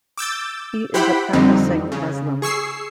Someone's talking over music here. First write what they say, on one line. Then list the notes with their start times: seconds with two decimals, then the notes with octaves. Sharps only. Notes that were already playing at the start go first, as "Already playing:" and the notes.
He is a practising Muslim.
0.18 D6 E6 G6 A6
0.94 E4 G4 C5 F#5 G5 B5
1.33 F2 D3 G3 C4 D#4
1.92 C#3
2.42 G#4 C#6 E6 C7